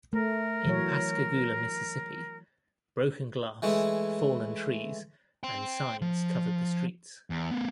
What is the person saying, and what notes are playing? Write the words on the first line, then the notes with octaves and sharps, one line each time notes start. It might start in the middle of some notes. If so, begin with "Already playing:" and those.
In Pascagoula, Mississippi, broken glass, fallen trees and signs covered the streets.
A3 A#4
E3 F#3 C#5
E3 G#3 A3 E4
G5 C6
F3
E2
A3 B3